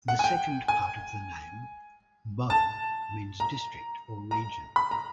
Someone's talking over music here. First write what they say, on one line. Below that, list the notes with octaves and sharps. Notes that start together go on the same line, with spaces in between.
The second part of the name, "-bo", means district or region.
F#5
G#5
G5
G#5
A5
A#5
A#5
B5
A#5